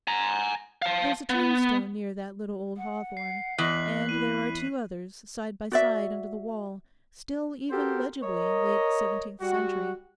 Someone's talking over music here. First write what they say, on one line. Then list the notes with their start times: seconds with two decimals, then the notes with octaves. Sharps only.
There's a tombstone near that little old hawthorn, and there are two others side by side under the wall, still even legibly late seventeenth century.
0.08 G#5 A#5
0.82 F5 A5
1.30 B3
2.77 F#5
3.17 C7
3.58 E2 D#5 F#6 B6 F#7
4.09 E4 D#7
5.72 F#4 D5 E5
7.71 F#4 G4 A4 A#4 C5
8.22 A#4 C#5 D#5
9.41 G3 F#4